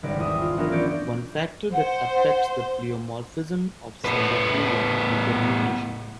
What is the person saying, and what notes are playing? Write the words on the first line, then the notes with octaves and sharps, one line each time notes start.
One factor that affects the pleomorphism of some Bacteria is their nutrition.
G#1 C#3 G3 B4 D5 A#6
E2 E4 D#6
F4
E3 F#3 B3 D4 F4 A#4
C#4 A#4 D5 G6 C#7
C5 F#5
A2 B3